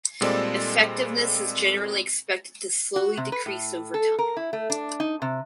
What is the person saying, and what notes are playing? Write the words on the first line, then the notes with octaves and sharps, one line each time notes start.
Effectiveness is generally expected to slowly decrease over time.
A#2 G3 G#3 C4 A4 D5
F#4
C3
B4
A2
A4
A#4
E4
A3
D4
D#4
C3